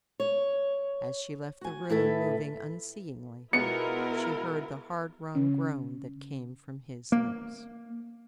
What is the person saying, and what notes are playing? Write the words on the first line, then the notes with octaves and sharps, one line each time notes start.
As she left the room, moving unseeingly, she heard the hard-wrung groan that came from his lips.
C#5
F#4 G#5
A2 E4 A4 B4
B2 G#3 B3 E4 F4 A#4 C#7
C#3 C#4
A#3